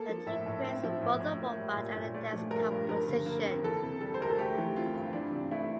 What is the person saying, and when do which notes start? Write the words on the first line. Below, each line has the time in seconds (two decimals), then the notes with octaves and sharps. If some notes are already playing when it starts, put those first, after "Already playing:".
A team creates both a robot and a dance composition.
Already playing: A#3 A4
0.09 F3
0.26 A2 E5
0.46 A2
0.64 C4 E5
0.83 F3
1.02 A2
1.20 A2
1.39 A#3
1.59 G3
1.77 A#2
1.95 A#2
2.14 A3 D5
2.33 F3
2.51 G2 A#4
2.71 G2
2.88 F3 A#4
3.07 D3
3.26 A#3
3.45 F2
3.63 E3 A4
3.83 C3
4.01 G3 A4
4.14 C5
4.20 D2 A#4
4.30 A4
4.38 A3 G4
4.58 E3
4.76 C4 F4
4.94 G2
5.13 E3 D4
5.32 C3
5.51 A3 E4